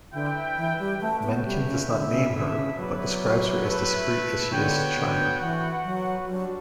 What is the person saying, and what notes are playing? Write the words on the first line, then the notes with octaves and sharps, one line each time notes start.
Mencken does not name her but describes her as discreet as she is charming.
D3 E4 B4 E5 G5
E3
G3
A3 C#4 F#4 B4 E5 G5
B3
G3
C#3
D3 E4 A4 E5
C#3
D3
C#3
F#3 B3 E4 B4 D5
A3 E4 B4
D3 B3 F#4 C#5 G5
D3
E3 F#4 B4 F#5
F#3
F#3 G3 D4